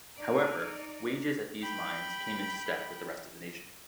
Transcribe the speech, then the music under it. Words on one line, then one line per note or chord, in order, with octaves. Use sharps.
However, wages at these mines came into step with the rest of the nation.
D#4 D5
G5 B5